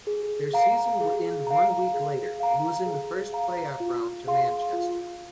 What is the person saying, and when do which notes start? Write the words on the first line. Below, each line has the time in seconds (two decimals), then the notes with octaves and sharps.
Their season would end one week later, losing the first playoff round to Manchester.
0.07 G#4
0.54 F5 A#5
1.00 G#4
1.47 F5 A#5
1.94 G#4
2.40 F5 A#5
2.86 G#4
3.33 F5 A#5
3.80 F4
4.27 G#4 F5 C6
4.73 F4